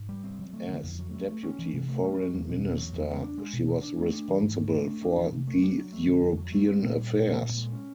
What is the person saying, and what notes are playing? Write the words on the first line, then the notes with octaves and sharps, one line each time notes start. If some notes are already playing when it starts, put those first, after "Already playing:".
As Deputy Foreign Minister she was responsible for the European Affairs.
Already playing: G#2
G3
C4
F#3
A3
D3
F2
F#3
A3
A3
C#4
E3
C3
A3
C#4
F#3
E2
B2
E2
F#3
E2
B3
D4
G#3
B2
B3
D4
A3
D4
E3
G#2
A3
D4
A3
D4
E3
C3
A3
D4
F#3
A3
D3
F2
F#3
A3
C4
A#2
G3
A#2
C4
A#2
G#3
C#4